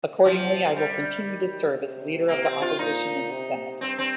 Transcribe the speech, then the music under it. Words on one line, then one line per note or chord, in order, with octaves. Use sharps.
Accordingly, I will continue to serve as Leader of the Opposition in the Senate.
C3 F3
G3
D#3
C3
C3 A#3
C4
F4
A#2 D#4
C3
G2 C4
C4